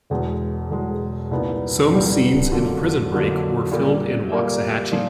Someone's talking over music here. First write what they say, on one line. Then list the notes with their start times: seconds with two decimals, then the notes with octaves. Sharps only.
Some scenes in "Prison Break" were filmed in Waxahachie.
0.10 E1 E2 B2 G#3
0.70 E1 E2 B2 G#3
1.31 C2 A#2 G3 B3 D#4
1.91 C2 A#2 G3 B3 D#4
2.51 F2 D3 F#3 A#3
3.12 F2 D3 F#3 A#3
3.71 A#2 G3 A#3
4.32 A#2 G3 A#3
4.92 A#2 F3